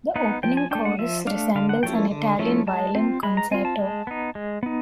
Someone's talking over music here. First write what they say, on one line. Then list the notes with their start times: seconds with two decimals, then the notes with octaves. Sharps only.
The opening chorus resembles an Italian violin concerto.
0.16 B3 D#4 F#5
0.43 F3 G5
0.57 G#5
0.71 A3 D4 G5
0.85 F#5
0.99 F3 E5
1.27 A3 D4 F5
1.55 D3 F5
1.69 F#5
1.83 F3 A3 C#4 E4 G5
2.11 D3
2.39 F3 A3 C#4 E4
2.67 G#3 A5
2.95 C4 F4
3.23 G#3 B5
3.37 A#5
3.51 C4 F4 G#5
3.65 A5
3.79 G#3
4.07 B3 D#4
4.35 G#3
4.63 B3 D#4